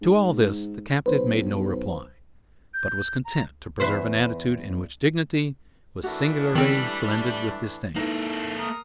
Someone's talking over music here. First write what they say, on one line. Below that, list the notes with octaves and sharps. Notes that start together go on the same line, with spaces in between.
To all this the captive made no reply; but was content to preserve an attitude in which dignity was singularly blended with disdain.
G#2
B1 B4 C5
G6
A#5
E2 B4 C5
E3 A3 D4 F#4 A#4
D#3 G3 C4
A#3 D#4 E4 A4 B4
A#4 D#6